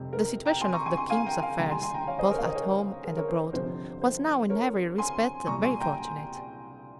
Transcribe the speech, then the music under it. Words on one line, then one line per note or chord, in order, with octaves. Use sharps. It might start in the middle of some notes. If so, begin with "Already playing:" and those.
The situation of the king's affairs, both at home and abroad, was now in every respect very fortunate.
Already playing: F1 F2 C3 G3
A#4
G5 A#5
G#5 C6
A#5 C#6
G#5 C6
G#5 C6
F5 G#5
G5 A#5
F5 G#5
F1 D#2 C#3 G3 G5 A#5
G#5 C6
G#5 C6
G5 A#5
C#5 F5
C5 D#5
A#4 C#5
F5
C5 D#5
A#4 C#5
A#4
A#4 C#5
C5
G1 F2 C3 F3 C5
C5
A#4 C#5
G#5 C6
C2 A#2 G3 A#5 C#6
G#5 C6
G5 A#5